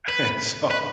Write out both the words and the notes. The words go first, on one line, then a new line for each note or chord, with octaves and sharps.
And so,
B4
B4